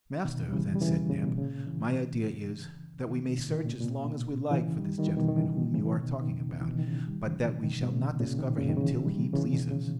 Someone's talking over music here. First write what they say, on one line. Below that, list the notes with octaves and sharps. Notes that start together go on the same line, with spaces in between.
"Master," then said Neb, "my idea is, that we may search as long as we like for this gentleman whom you are talking about, but that we shall not discover him till he pleases."
B2 D#3
G3
C#3 E3
G3
C#3 E3
A#2 C#3
B2
A#2 C#3
C#3 E3
B2 D#3
D#3
A#2 C#3
D#3
A#2 C#3
A#2
B2
A#2
C#3 E3
D#3 G3
D#3 G3
E3
B2 D#3
D#3
C#3 E3
C#3 E3
E3
B2 D#3
B2
C#3
B2 D#3
C#3 E3
E3
B2 D#3
D#3
C#3 E3
D#3 G3
C#3 E3
B2 D#3
B2 D#3
B2
A#2 C#3
A#2 C#3
B2 D#3
A#2 C#3
D#3
C#3 E3
D#3 G3
C#3 E3
B2 D#3
A#2 C#3